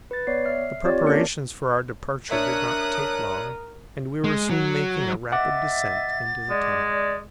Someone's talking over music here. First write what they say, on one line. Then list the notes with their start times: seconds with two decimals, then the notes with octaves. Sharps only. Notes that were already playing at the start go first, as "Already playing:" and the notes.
The preparations for our departure did not take long, and we were soon making a rapid descent into the tunnel.
0.11 B4 A6
0.27 B3 C#5 D5 C7
0.45 E5 F6 C7
0.84 C4 F4 G4 C#5 D5 A6
1.03 A#3 C#4 D4 A#4 C#7
2.31 D4 A#4 C#5 E5 D#6 F#6
4.24 G#3
4.50 F#3
5.32 D#5 E5 F#5 D6 A6
6.50 G#3 D5